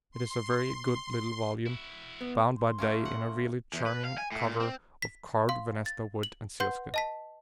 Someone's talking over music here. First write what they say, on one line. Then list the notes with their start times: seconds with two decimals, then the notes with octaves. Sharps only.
It is a very good little volume, bound by Day in a really charming cover of carved venesta wood and sealskin.
0.12 C6
1.66 E4 F#4
2.21 B3
2.56 C6
2.78 A3 A#3 C#4
3.05 F#5
3.73 E2
3.86 B4
4.05 F5
4.18 G#5
4.32 A2
4.45 A#2
4.60 C4
5.02 B6
5.49 F5 C6
5.86 A6
6.23 F#7
6.60 B4 F#5 C6 G6
6.94 D#5 A5 B6